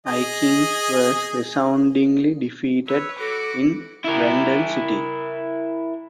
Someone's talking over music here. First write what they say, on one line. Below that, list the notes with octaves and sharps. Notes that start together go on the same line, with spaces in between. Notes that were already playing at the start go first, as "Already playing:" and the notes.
Aikins was resoundingly defeated in Brandon City.
G#4 D#5
B4 C#5 E6
F#4 A4 D6
E4 A#4